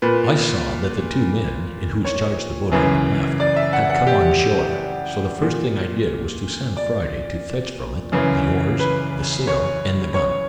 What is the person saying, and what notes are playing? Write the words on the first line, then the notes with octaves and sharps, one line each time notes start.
I saw that the two men, in whose charge the boat had been left, had come on shore; so the first thing I did was to send Friday to fetch from it the oars, the sail, and the gun.
A#2 B4
C#5
F#2 C#3 E3
D5
E5
F#5
F#5
G4
A#2
D5
F#2 C#3 E3
B4
C#5
C#5